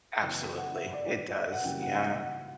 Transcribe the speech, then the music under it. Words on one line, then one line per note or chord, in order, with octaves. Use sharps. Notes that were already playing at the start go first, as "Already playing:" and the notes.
Absolutely, it does, yeah.
F#2 C#3 E3 B3 G5
F#5
E5
D5
D5
E5
F#5
F#2 C#3 E3 G3 A#3 G5
F#5
E5
F#5